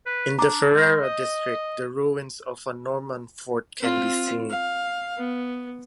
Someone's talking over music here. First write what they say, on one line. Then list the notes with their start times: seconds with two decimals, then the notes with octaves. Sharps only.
In the Ferrara district the ruins of a Norman fort can be seen.
0.06 B4
0.39 D4 A#5 D6
0.75 G#3 G6 A#6
1.03 D#5
3.81 C4 F4
4.50 F5
5.18 B3